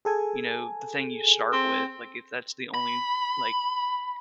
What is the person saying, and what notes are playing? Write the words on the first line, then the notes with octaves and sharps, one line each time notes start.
you know, the thing you start with, like, if that's the only, like,
G#4 A4 G#5
C4
B5